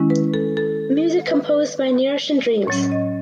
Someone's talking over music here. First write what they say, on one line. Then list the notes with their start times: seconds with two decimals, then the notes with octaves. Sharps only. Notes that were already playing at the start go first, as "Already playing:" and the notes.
Music composed by Niroshan Dreams.
Already playing: D#3 G#3 C#4 E4
0.10 B4
0.34 A4
0.57 A4
1.27 B4
2.67 A2 F#3 C#4 C#5
2.92 D#5